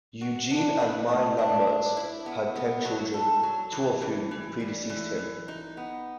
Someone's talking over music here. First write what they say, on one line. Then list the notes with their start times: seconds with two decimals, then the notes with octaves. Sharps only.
Eugene and Mai Lambert had ten children two of whom predeceased him.
0.21 F#4
0.51 D4
0.80 B4
1.09 A3
1.38 D4
1.67 D4
1.97 E4
2.26 B3
2.56 B3
2.85 F#3
3.14 A4
3.43 F#3
3.72 E3
4.02 E3
4.31 E3
4.60 G3
4.90 E3
5.18 E3
5.48 D#4
5.77 B3